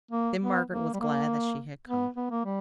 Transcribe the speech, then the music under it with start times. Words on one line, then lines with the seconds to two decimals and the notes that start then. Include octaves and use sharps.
Then Margaret was glad that she had come.
0.11 A#3
0.41 B3
0.71 A#3
0.93 G3
1.00 A#3
1.87 B3
2.16 B3
2.31 A#3
2.45 G3